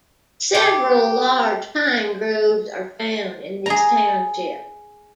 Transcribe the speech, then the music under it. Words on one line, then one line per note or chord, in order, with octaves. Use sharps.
Several large Pine Groves are found in this Township.
G4
G#4 A#5